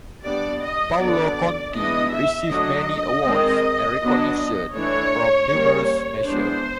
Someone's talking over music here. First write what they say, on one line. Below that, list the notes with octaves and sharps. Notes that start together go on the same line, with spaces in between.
Paolo Conte received many awards and recognitions from numerous nations.
G3 B3 D4 D5
D#5
D3 F#3 B3 D4 D5
E3 G#3 B3 D4 D#5
E5
D3 F#3 A3 D4 D#5
D#3 G#3 C4
F#3 B3 D4
E3 A3 D4 C#5
G3 A#3 C#4
E3 G#3 B3 D4 C5